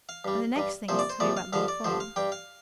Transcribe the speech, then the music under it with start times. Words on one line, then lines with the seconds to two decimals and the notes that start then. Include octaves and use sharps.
"And the next thing is to tell you about Lord Fawn."
0.09 F5
0.25 G2 G3
0.56 G2 G3
0.88 C2 A#2 F3 C5
0.99 D5
1.10 C5
1.20 C2 A#2 F3 D5
1.37 F5
1.53 G2 D3 F3 F5
1.68 D5
1.84 G2 D3 F3 C5
2.00 F5
2.16 G2 G3 G5
2.32 F5